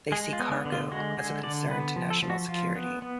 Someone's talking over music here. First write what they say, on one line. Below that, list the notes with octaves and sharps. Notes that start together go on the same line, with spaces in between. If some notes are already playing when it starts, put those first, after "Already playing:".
They see cargo as a concern to national security.
G#3 G#4
F4
B3
D4
D3
F4
G#3 F#4
D3 G#4
D3 D5
B3 B4
F3
A4
F3
F#4
F3 F4
B3
B3